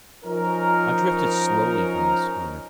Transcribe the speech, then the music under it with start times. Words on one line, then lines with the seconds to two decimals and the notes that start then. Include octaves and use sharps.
I drifted slowly from the schooner.
0.24 F3 C#4 D#4 A#4